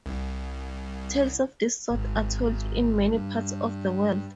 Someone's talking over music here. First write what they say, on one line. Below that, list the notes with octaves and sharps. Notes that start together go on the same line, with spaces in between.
Tales of this sort are told in many parts of the world.
C2
G#1
G2